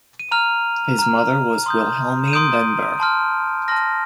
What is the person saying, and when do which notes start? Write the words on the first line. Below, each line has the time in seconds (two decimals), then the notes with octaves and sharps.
His mother was Wilhelmine then Bergh.
0.19 D#7
0.31 A#5 F6 F7
0.99 A#5 F6
1.66 C6 D#6 G6
2.28 D#7
2.33 C6 D#6 G6 D7
3.00 A5 C6 F6
3.68 A5 C6 F6 A#6